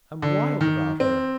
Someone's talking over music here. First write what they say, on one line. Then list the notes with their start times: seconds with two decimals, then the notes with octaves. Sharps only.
I'm wild about her!
0.22 D3
0.61 D#3
1.00 C4